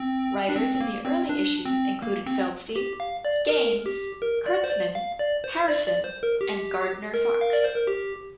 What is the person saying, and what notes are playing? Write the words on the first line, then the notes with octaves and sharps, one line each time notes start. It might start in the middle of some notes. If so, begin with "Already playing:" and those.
Writers in the early issues included Feldstein, Gaines, Kurtzman, Harrison and Gardner Fox.
Already playing: C4
D4
C4
C4
A#3
C4
D4
C4
A#3
C4
G4
F5
D5
A#4
G4
A#4
D5
C5
D5
F5
D5
C5
D5
D5
C5
A#4
G4
A#4
F5
D5
C5
A#4
G4